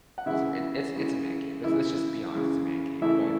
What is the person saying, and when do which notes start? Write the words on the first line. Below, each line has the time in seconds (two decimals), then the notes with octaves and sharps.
It's a m it it's it's a man cave. Let's let's, just, be honest. It's a man cave, but
0.18 F#5
0.26 C#3 E3 G#3 E4 E5
0.96 C#3 E3 G#3
1.64 C#3 E3 G#3 E4 E5
2.34 C#3 E3 G#3
3.02 C#3 E3 A3 E4 E5